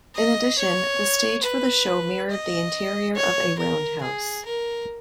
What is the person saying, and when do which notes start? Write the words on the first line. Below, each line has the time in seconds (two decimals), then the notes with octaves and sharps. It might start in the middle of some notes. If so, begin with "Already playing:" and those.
In addition, the stage for the show mirrored the interior of a roundhouse.
0.15 D#5
0.59 C#5
1.44 B4
2.30 D#5
3.16 C#5
3.59 A#4
4.02 G#4
4.45 A#4